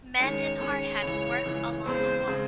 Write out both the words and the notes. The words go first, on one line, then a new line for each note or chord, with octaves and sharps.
Men in hard hats work along a wall.
D#3 G#3 C#4 C#5
D#3 G#3 C#4 C#5
C#2 C#3 E3
C#2 C#3 E3
E2 C#3 G#3 C4 C5
C#3 G#3 C4